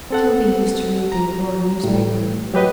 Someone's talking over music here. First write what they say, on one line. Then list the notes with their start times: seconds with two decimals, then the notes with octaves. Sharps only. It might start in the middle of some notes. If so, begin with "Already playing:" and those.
Toby used to read the Aurora newspaper.
0.10 C4 A4 F#5
1.12 A#5
1.84 A2 G3
2.54 F#3 G4 B4 D#5